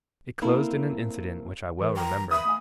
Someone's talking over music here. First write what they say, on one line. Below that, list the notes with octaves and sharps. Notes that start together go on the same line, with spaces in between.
It closed in an incident which I well remember.
A#3 C4 E4 A4 C5
E3 A#4
G5 A#5 C6
E5 B5 D#6
A3 G#5